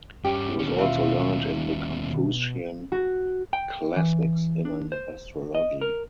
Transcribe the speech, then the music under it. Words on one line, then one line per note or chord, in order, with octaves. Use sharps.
He was also learned in the Confucian classics and in astrology.
G2 C#4 G4
D#2 B2 C#4
E3 F4
F#4
G5
E3
D4
C5
D#5
A#4